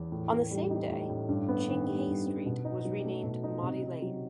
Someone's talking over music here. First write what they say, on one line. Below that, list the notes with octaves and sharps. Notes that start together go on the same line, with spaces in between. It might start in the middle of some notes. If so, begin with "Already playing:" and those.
On the same day, Ching Hay Street was renamed Mody Lane.
Already playing: E2
A2
A2
G3
D#4
A2
A2
G2
B3
D#3
G3
G2
B3
B2
D#4
F#3
A3
B2
D#4
C3
D#4
F#3